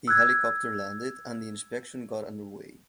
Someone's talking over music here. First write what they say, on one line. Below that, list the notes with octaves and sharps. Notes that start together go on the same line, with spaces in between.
The helicopter landed and the inspection got underway.
E6 F#6 G#6